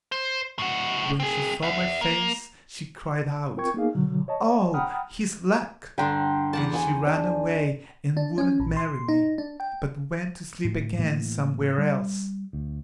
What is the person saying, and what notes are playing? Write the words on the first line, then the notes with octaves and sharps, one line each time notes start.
But when she saw my face she cried out, 'Oh, he's black!' And she ran away and wouldn't marry me--but went to sleep again somewhere else.
C5
A2 F#5
C4 G#4
E5 F#5
A#3
C4 F4 A#4 G5 C#6 G#6
A#3 B3 D#4 G#4 F5
B2 D3 F#3
C#5 D#5 A5
F#5 G5 A#5 B5 D#6 F6
G2 D3 G3 G5 A#5 C6
E2 F#5 A5 D6
G#5 D#6
D4
D4
C#4
A#1
C6
D#4
D4
G5
A2
A2 E3 A3 A#3
G3
D2